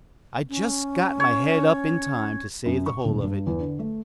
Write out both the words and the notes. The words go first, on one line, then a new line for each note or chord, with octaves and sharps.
I just got my head up in time to save the whole of it.
C#4
C#5
F#2
C#6
D#1
G2
E2
D3
A3